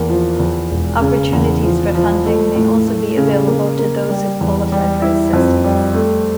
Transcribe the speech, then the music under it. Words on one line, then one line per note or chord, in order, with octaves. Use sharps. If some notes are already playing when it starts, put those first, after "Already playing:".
Opportunities for funding may also be available to those who qualify for assistance.
Already playing: E2 A#3
F3
E2
E1
C#3
E2
F3
F3
A3
A2
A3
C#3
A#3
A#3
G3
E2
G3
E4
F2
G3
A3